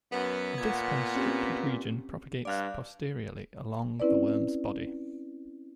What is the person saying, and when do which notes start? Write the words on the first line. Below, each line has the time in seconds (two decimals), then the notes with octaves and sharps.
This constricted region propagates posteriorly along the worm's body.
0.12 F#2 B3 B4
0.58 A#2 G#6
1.15 C4 C#4 G4
2.45 G2 D5 F5 F#6
4.00 C4 C#4 E4 B4 D5